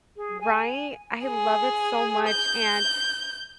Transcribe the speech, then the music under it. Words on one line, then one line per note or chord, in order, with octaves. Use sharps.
Right? I love it so much, and
G#4
G#5
G#4
G6